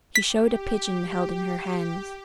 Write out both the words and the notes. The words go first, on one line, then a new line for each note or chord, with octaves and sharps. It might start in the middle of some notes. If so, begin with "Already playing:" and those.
She showed a pigeon held in her hands.
G4 B6